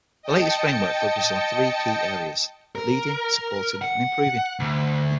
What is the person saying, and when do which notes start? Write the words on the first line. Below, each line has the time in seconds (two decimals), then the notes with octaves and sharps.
The latest framework focuses on three key areas: leading, supporting and improving.
0.22 D#5 G5 A5 C#7
2.75 A#4
3.82 F#5
4.60 D2